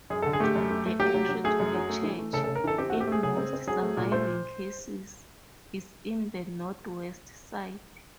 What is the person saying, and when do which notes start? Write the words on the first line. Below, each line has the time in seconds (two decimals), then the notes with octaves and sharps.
The entry to the church, in most surviving cases, is in the northwest side.
0.10 F#2 G#4
0.22 A4
0.26 D3
0.33 G#4
0.40 A3 G4
0.56 F#2
0.70 A3
0.86 A3
0.99 F#3 G4
1.14 F#3
1.29 F#3
1.44 A3 G#4
1.60 F#2
1.74 F#3
1.89 A3
2.03 E3
2.18 A3
2.33 C#3 A4
2.44 A4
2.48 C#3
2.55 A#4
2.64 E3 A4
2.78 C4 G4
2.90 F#4
2.93 A3
3.00 G4
3.07 A3 G#4
3.23 C#3 G#4
3.37 C4
3.53 C4
3.67 F#3 G#4
3.83 A3
3.97 A#2
4.11 A3 C5